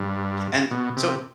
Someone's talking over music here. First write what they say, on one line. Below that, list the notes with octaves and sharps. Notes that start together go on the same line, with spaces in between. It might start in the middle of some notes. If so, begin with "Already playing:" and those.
And so
Already playing: G2
B2
C3